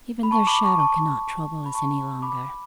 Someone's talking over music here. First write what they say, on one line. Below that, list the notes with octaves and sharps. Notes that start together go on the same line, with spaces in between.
Even their shadow cannot trouble us any longer.
B5
A5 C#6
B5 D6
A5 C#6
A5 C#6
B5
A5 C#6
B5 D6